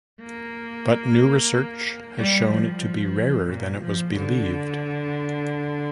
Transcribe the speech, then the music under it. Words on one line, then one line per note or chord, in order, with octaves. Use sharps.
But new research has shown it to be rarer than it was believed.
A#3
G3
F3
A#2
F3
D3